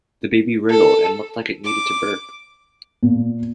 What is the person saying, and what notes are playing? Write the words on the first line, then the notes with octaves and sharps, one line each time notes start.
The baby wriggled and looked like it needed to burp.
A4
D6
A#2